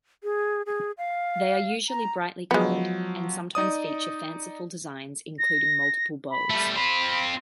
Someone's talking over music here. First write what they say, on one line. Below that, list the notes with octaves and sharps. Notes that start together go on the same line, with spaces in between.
They are usually brightly colored, and sometimes feature fanciful designs including multiple bowls.
G#4
G#4
F5
A#5
F3 F#3 G#3 B3
D#4 D5 D#6
A#6
B5
G3 A3
C4 F4 B5